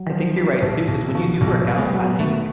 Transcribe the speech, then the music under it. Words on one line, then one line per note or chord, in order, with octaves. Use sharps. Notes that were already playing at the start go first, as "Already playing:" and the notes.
I think you're right too, cause when you do work out, I think,
Already playing: F#3
F3
G3
B1
B1
B2 F3
B1
B3
G#3
G3
F#3 B3
B2 A3